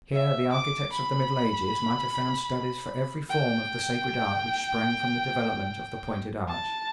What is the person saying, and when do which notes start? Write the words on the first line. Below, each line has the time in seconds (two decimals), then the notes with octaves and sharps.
Here the architects of the middle ages might have found studies for every form of the sacred art which sprang from the development of the pointed arch.
0.13 E5
0.52 D6
0.92 B5
3.30 G5
6.49 A5